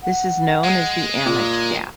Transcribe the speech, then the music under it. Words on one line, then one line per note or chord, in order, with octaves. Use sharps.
This is known as the "amn't gap".
F#5
G#3
A#2 A#3